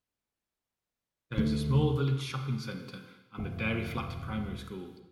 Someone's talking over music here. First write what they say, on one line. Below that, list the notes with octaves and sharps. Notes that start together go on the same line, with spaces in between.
There is a small village shopping centre and the Dairy Flat Primary School.
D2 A3
D1 F2 D#3